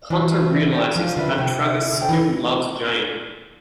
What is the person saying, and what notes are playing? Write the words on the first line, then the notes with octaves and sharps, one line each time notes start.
Hunter realizes that Travis still loves Jane.
E3 D4
F4 C5
D4
G4 D5
F3 D4
D3 F4 B4 E5
C3 G4
C5 E5 A5
E4
D3
A4 C5 G5
E3